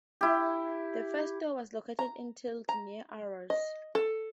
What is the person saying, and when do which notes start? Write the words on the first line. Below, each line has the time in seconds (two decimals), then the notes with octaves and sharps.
The first store was located in Tilst, near Aarhus.
0.21 E4 G4
1.99 A#5
2.69 A#5
3.50 D#5
3.95 A4